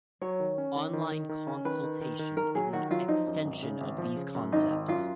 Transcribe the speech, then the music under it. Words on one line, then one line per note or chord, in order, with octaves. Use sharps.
Online consultation is an extension of these concepts.
F#3 C#5
D#3
C#4
D#3
D#3
D#3
D#3
C#4
D#3 B4
D#3
D#3
D#3
D#3 A#4
F#3 G#4
D#3 F#4
F#3 F4
F3 D#4
F#2
G#1
C#3
G#1
F3
C#3
F#2
G#1 D#4
G#1
F#2 F4